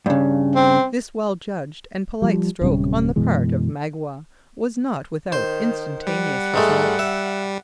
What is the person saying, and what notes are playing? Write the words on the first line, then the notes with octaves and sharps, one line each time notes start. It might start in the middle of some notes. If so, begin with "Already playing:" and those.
This well-judged and politic stroke on the part of Magua was not without instantaneous results.
G2 C#3
C4
F3 G3
D1 C3 G3 C#4
F#2 B2 E3 G#3
D#3 C5
G3 F#5
G#2 G#3 A3
E5